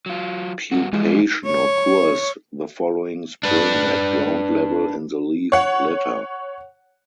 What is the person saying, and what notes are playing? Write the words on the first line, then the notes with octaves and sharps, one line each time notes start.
Pupation occurs the following spring at ground level in the leaf litter.
F#3 F4
G2 G3 F#4
E3 F3 G3 G#3
C#5
D4 B4
C#5 F#5